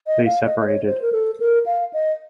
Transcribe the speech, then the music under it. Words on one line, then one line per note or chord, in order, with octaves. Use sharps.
They separated.
D#5
F5
D#5
D#5
C#5
C5
A#4
A4
A#4
F5
D#5